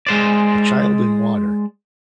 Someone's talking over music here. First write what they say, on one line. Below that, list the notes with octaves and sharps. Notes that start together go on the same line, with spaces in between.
A child in water.
G#3 C5 D5